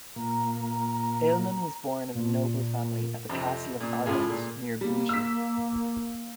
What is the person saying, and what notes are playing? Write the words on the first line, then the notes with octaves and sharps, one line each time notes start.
Aleman was born of a noble family at the castle of Arbent near Bugey.
A#2 A#3 A#5
A#2
F2 C3
A#2
C#2 A2 F4 G#4 G#5
A#2
G3 A#3
E6 B6